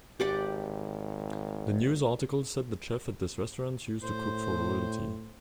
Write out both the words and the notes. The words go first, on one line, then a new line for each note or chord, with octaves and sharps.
The news article said the chef at this restaurant used to cook for royalty.
G#1 G4 D5 F#5
A2 C5